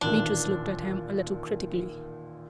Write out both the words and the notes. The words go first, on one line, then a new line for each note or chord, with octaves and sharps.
Beatrice looked at him a little critically.
A1 D#2 A#2 D4